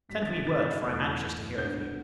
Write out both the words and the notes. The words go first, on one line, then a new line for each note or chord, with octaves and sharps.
Send me word, for I am anxious to hear of you.
G2 G3 B3 B6
A6
B6
A6
E2 E3 A3
D2 D3 B3 G6